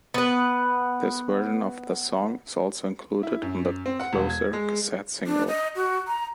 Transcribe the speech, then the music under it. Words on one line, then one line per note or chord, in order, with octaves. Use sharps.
This version of the song is also included on the "Closer" cassette single.
B3 B4
E4
F#2
C4
F#5
E1
G#6
G#3
D4
D#5
F#4
A#5